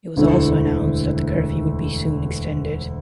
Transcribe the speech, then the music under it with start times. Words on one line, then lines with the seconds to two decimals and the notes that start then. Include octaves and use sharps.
It was also announced that the curfew would be soon extended.
0.16 E1 D2 D3 A3 E4